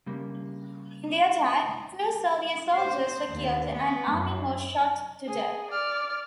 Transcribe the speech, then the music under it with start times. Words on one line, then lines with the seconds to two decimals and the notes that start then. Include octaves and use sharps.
In the attack, two Soviet soldiers were killed, and Amin was shot to death.
0.06 C#3 G3 A#3
2.73 C5
3.30 D#2
3.75 B3
4.12 F#2
5.28 G#4
5.71 D5 F6